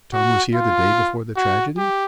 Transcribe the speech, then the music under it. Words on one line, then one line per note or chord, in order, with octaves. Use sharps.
"Tom was here the day before the tragedy?"
F#4
F4
F#4
G4